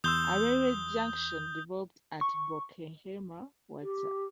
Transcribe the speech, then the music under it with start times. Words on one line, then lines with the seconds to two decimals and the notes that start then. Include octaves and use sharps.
A railway junction developed at Bockenheimer Warte.
0.04 E2 C6 D#6 E6 G6 G7
2.21 C#6
3.81 G4